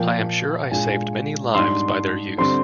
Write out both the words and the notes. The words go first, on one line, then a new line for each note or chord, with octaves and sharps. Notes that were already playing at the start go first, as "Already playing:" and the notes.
I am sure I saved many lives by their use.
Already playing: A#2 F3 A#3 F4 G5
A#2 G#3 D4 F4 G#5
G#2 G3 D4 C6
D3 G3 C4 C6